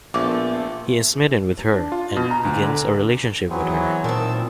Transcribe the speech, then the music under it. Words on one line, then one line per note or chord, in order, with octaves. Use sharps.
He is smitten with her and begins a relationship with her.
A#1 F3 A3 B3 A4 D6
D4
F4
B2
A#5
D2
D3
E3 F#3 B3 C4 G#4
A#2 D#3 C4 A5 E6